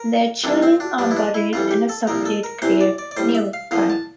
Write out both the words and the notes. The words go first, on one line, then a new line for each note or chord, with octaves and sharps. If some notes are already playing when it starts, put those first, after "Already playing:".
Their children are buried in a separate grave nearby.
Already playing: A#4
C2 C3 E3 D4
C4
D4
G2 F3 D4
E4
D4
E4
F2 E3 G3 F4
G4
A4
C2 A#2 F3 A#4
A4
A#4
E2 C3 E3 C5
D5
D5
D5
A2 G3 C5
E5
F5
E2 D3 F3 F5
A5